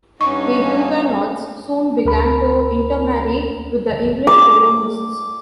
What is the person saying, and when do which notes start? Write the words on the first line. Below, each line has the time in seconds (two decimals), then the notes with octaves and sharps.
The Huguenots soon began to intermarry with the English colonists.
0.21 G2 C#4 D#4 F#4 C#6
2.05 D2 A#4 B5
4.27 D6